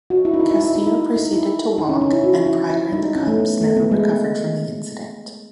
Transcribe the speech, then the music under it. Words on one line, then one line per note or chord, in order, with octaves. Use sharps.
Castillo proceeded to walk and Prior and the Cubs never recovered from the incident.
F#4
E4
D#4
E4
E4
E4
D#4
E4
D#4
E4
D#4
C#4
C#4
E4
F#4
E4
E4
D#4
C#4
A3
B3
A3
B3
G#3